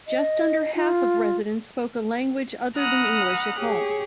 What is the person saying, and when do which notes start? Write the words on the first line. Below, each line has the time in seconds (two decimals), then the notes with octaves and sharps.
Just under half of residents spoke a language other than English at home.
0.08 D#5
0.75 F4
2.76 F#5 A#5 B5 D#6 F6 F#6
3.59 G4 G#4 C#5